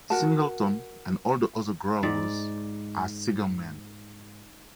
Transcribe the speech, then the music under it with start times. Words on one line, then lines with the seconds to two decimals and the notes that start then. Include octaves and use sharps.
Singleton and all the other growers are cigar men.
0.10 F#4 A#4 F#5 A5
2.03 G#2 D5